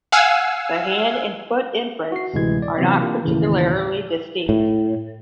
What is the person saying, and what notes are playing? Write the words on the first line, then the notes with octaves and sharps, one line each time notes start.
The hand and foot imprints are not particularly distinct.
F5 F#5 G#5 E6
F#4 C7
D2 A2 C3 E3 G#3 G#6
D5
C3 E3 F#3 B3 C4
A#3 D4 F4 G4
D#2 A2 C#3 E3
A2